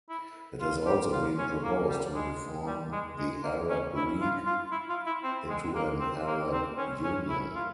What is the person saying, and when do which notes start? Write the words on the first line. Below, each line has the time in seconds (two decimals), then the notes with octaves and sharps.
It has also been proposed to reform the Arab League into an Arab Union.
0.09 E4
0.61 F4
0.86 G4
1.12 F4
1.38 C#4
1.64 A#3
1.89 G3
2.15 G#3
2.66 G3
2.92 G#3
3.18 G#3
3.44 A#3
3.70 C#4
3.95 E4
4.21 F4
4.46 F4
4.72 E4
4.89 F4
5.07 E4
5.24 C4
5.50 G#3
5.75 A#3
6.00 C4
6.27 A#3
6.53 C4
6.78 C#4
7.04 C#4
7.29 E4
7.55 F4